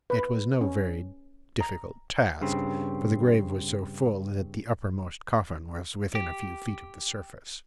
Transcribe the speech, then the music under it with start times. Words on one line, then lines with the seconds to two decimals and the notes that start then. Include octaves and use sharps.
It was no very difficult task, for the grave was so full, that the uppermost coffin was within a few feet of the surface.
0.10 B4
0.61 C#4
1.61 A#5
2.41 G2 C#3 C4
6.15 G4